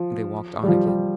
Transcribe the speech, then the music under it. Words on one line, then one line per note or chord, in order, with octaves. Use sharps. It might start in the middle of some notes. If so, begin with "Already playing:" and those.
And they walked on again.
Already playing: F3
G3
F3
G3